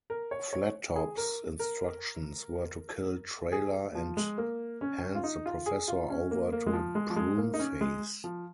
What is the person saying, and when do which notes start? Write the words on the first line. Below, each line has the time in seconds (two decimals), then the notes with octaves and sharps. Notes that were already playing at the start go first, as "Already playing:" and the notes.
Flattop's instructions were to kill Trailer and hand the Professor over to Pruneface.
0.10 A#4
0.31 C#5
0.53 C#5
0.96 G#4
1.17 A#4
1.59 A#4
3.52 G#4
3.95 F3
4.17 G#3
4.38 A#3
4.81 C#4
5.15 F4
5.24 D#4
5.46 F4
5.66 G#4
5.88 F4
6.09 C#4
6.31 A#3
6.53 A#3
6.66 G#3
6.73 F3
6.95 G#3
7.10 F3
7.16 G#3
7.38 A#3
7.54 D#4
7.59 C#4
7.81 G#3
8.24 F3